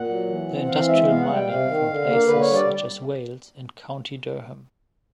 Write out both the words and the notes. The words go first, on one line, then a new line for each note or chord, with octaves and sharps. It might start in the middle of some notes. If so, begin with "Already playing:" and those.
The Industrial mining from places such as Wales and County Durham.
Already playing: A#2 F#5
F#3
E3
C4
E3 F5
G#3 E5
B3 F5
F#5
G3
G5
C3 F5
D#3
D3
A#3
D3 B4
C#5
G3
D5